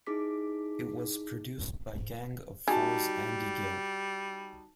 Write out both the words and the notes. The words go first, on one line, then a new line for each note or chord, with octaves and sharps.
It was produced by Gang of Four's Andy Gill.
D#4 E4 G#4 D6 B6
G3 D#4 F#4 G#4 A5